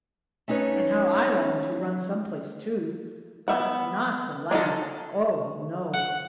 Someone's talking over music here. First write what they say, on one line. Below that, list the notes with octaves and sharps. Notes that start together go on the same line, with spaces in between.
And how I longed to run some place, too--but not to laugh, oh, no!
A3 C#4 D#4 B4 C#5
B3 E5 F#5
D4 D#4 F4 A4
F#5